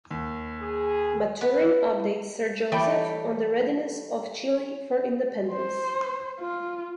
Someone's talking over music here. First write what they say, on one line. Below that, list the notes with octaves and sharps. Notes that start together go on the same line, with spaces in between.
Maturin updates Sir Joseph on the readiness of Chile for independence.
D#2
G#4
B3
E3 G3 A3 C#5 G5
C5
F4